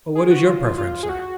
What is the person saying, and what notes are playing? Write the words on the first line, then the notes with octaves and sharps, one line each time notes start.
"What is your preference, sir?"
G#4
F#4
F4
F4
G#4
F#4